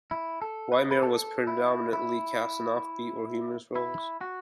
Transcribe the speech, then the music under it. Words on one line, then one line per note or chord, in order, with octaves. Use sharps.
Waymire was predominantly cast in offbeat or humorous roles.
E4
A4
B4
B4
A4
E4
E4
E4
F#4